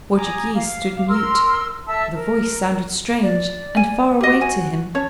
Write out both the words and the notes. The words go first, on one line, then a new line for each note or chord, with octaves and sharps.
Portoghese stood mute; the voice sounded strange and far away to him.
G#5 A#5 D6 D#6
F5 D6
A#4 C6 E6 F6
A4 E5 A5 E6
A#4
D5
G#5
F#4 G4 D#5
G#5
C#4 C#5 A5